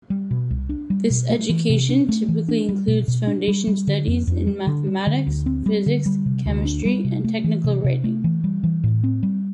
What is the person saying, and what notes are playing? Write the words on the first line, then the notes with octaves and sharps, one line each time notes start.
This education typically includes foundation studies in mathematics, physics, chemistry, and technical writing.
G3
B2
C2
D4
G3
B2
A3
E3
C3
D4
A3
E3
D4
G3
B2
B2
D4
G3
G3
D3
F2
F2
G3
D3
G3
D3
D2
C4
G3
D3
G3
C3
D2
D4
G3
C3
A3
E3
C3
C3
A3
E3
G3
E3
A2
C4
G3